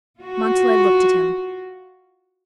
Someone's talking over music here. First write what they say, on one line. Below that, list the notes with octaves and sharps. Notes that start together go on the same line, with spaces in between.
Montalais looked at him.
F4 F#4